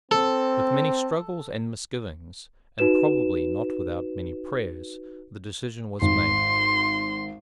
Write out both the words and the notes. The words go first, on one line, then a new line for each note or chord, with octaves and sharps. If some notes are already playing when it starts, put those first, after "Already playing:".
With many struggles and misgivings, and probably not without many prayers, the decision was made.
C4 A4
D#4 F#4 B4 E7
G#1 C6